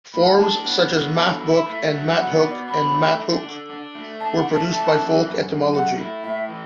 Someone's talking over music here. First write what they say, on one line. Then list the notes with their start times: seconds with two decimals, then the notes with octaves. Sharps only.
Forms such as "mathooke", "motthook" and "mathook" were produced by folk etymology.
0.13 A2 B5
0.21 A5
0.29 F#5
0.37 D4 A5
0.64 B3
0.90 D3
1.15 B2 A5
1.41 E4
1.50 E5
1.66 A3 E5
1.92 F#3
2.17 B3 F#5
2.34 D5
2.43 B2
2.51 D5
2.68 D4 B5
2.94 A3
3.19 D4
3.43 D3
3.69 D4
3.95 A3
4.20 D4 A5
4.37 F#5
4.45 A3
4.54 A5
4.71 E3 A5
4.96 F#2
5.22 F#2
5.47 F#2
5.73 A3 F#5
5.97 E4
6.24 A2 E5
6.49 E3